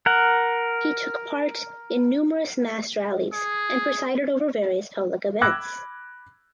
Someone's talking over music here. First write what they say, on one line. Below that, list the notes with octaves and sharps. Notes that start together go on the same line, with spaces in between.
He took part in numerous mass rallies and presided over various public events.
A#4 F#5
G#4
B5 D6 E6 F#6 G#6 A#6